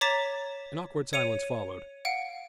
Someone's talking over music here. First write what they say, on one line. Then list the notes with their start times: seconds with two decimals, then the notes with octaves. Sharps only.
An awkward silence followed.
0.01 C#5 A#5 D6 A6 B6 E7
1.13 C#5 C#7 D#7 F7
2.05 F5 F#5 D7